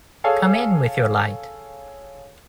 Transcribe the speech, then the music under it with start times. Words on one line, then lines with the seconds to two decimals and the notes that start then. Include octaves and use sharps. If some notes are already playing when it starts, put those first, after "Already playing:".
Come in with your light.
0.24 G#4 A4 C#5 F5 G#5